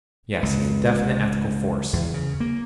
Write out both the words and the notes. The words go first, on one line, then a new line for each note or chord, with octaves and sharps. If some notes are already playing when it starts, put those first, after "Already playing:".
"Yes; he's a definite ethical force."
C#2
E2
C#3
A#3